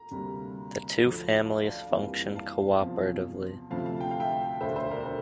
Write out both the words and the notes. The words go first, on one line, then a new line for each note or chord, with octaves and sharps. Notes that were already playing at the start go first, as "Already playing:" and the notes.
The two families function cooperatively.
Already playing: A#5
D2 C3 G3 A#3
D2 D3 F3
F5 A5
D5 F5
F2 E3 G3 A#3
F5 A5
E2 C3 F3
D2 C3 F3 A3 F5 A5
F5 A5
G5
F5
E5 G5
E1 D2 D3 C5 E5
C5 E5
A#4 D5
A4 C5